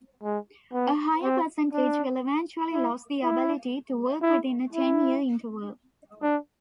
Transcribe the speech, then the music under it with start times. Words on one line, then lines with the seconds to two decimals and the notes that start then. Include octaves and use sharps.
A higher percentage will eventually lose the ability to walk within a ten-year interval.
0.23 G#3
0.73 B3
1.23 C4
1.72 D4
2.73 E4
3.23 E4
4.22 E4
4.73 E4
6.22 D4